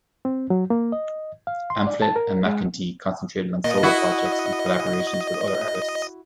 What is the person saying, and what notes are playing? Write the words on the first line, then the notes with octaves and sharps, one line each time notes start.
Amphlett and McEntee concentrated on solo projects and collaborations with other artists.
C4
F#3
A#3
D#5
F5
C6
D5
A5
A#4
G#3
A#2 D#5
E4 F#4